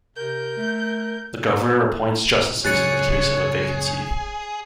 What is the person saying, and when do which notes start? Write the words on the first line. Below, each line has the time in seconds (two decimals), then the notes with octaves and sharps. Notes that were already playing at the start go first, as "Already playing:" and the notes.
The Governor appoints Justices in the case of a vacancy.
0.16 C3 A#4 G6
0.57 A3
2.65 F#1 C#2 A2 G#4 C#5 F#6 A6 C#7